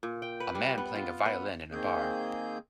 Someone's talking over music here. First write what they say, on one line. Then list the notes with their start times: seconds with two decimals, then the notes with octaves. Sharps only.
A man playing a violin in a bar.
0.03 A#2
0.22 G5
0.40 B4
0.55 G3
0.78 B3
0.95 F4
1.26 B3
1.72 D#3 A#3 C4 G#4 G6